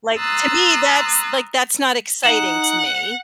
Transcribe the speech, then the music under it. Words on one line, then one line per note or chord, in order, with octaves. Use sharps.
Like to me, that's, like that's not exciting to me.
A#5 C6 D#6 E6 F#6 A6
D#4 F#5 E7 F#7